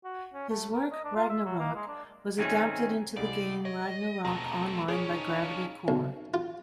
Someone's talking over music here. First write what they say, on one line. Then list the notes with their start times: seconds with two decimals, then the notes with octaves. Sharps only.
His work "Ragnarok" was adapted into the game Ragnarok Online by Gravity Cor.
0.04 F#4
0.34 C#4
0.50 A3
0.73 A#4
0.92 D#5
1.04 D4
1.16 F4
1.30 E5
1.45 F#3
1.59 A#3
1.75 G#3
1.88 D4
2.38 D#3 A3 C4 C#4 D#4 G#4
3.16 C2 G3 G#3 D5
3.65 C#5 D#5
4.25 E1 A3 C4 D#5 A#5
4.88 C#4 D4 G#4 C#5 G#5 D6
5.09 D#4
5.29 F5
5.88 B1
6.34 F4